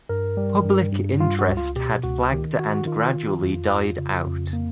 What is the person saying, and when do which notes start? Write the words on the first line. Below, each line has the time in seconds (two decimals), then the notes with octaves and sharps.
Public interest had flagged and gradually died out.
0.09 G2 A#4
0.37 G3
0.64 G2
0.93 G2
1.20 G3 F4
1.39 F#4
1.48 C#2
1.57 F4
1.76 B2 G4
2.04 C#2 F#4
2.31 D#3 G4
2.59 D#3 F#4
2.74 F#4
2.86 D#3 F4
3.15 D#3
3.42 F2
3.70 F2
3.98 C#3
4.26 F2
4.53 A#3